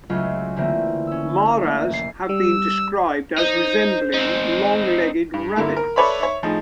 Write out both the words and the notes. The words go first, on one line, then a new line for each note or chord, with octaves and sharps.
Maras have been described as resembling long-legged rabbits.
C#2 F#3 A3 F4
D3 E3 A3 A#3 C4
C#4 E6
A3 A#3
F1 C7
G3 E6
D#4 C5
C4 D#4
G2
G2 D3 A#3 E4
A#4
A4 B4 C#5 D5 E5 B5
C#5 E5
A2 F3 D#4 G#4